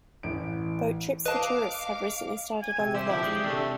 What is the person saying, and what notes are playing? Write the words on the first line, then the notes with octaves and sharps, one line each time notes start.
Boat trips for tourists have recently started on the loch.
A1 D7
B4 D#5 F5 A5 D6
G#5
C3
C2 G4 C5 E5
D3 F3 E4
G#3 D5
C3 A3 D4 A4